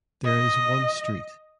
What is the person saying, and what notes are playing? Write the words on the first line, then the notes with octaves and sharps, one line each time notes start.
There is one street.
D#5